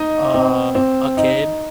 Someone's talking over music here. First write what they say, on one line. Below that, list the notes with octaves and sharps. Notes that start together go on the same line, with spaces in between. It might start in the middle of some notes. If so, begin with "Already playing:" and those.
Uh, a kid,
Already playing: D#4 D#5
C4
C4
D#4